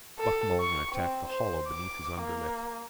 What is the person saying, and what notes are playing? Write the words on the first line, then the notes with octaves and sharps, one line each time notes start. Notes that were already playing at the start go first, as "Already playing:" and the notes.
Buck Mulligan attacked the hollow beneath his underlip.
A4
C#6
C4
C5
D6
A#3